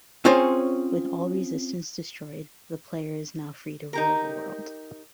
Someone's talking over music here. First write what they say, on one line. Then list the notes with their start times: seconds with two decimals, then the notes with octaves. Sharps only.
With all resistance destroyed, the player is now free to rule the world.
0.25 C4 C#4 F4 G#4 C5 C#5
3.93 D#4 G4 A#4